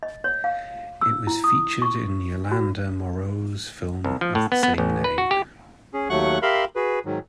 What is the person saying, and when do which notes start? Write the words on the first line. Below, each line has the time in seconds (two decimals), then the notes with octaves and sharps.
It was featured in Yolande Moreau's film of the same name.
0.03 D#5
0.24 C#5
0.44 F5
1.01 E6
1.27 E4
1.44 D#6
1.82 C#6
2.52 F#4
4.04 C2
4.21 F3
4.35 A2
4.52 B3
4.63 B3
4.78 A1
5.04 B4
5.18 F#4
5.31 G4
5.93 C#4 G#4
6.10 D#2 F#3 A3 F#5 C#6 F#6
6.42 G4 A#4 E5 F5 B5 C6
6.76 F#4 G#4 B4
7.05 G#2 D#3 F#3